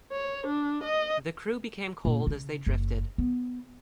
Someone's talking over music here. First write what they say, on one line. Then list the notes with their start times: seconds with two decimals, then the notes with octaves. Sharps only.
The crew became cold as they drifted.
0.12 C#5
0.47 D4
0.84 D#5
2.05 A#2
2.27 C#3
2.66 F#1
3.18 B3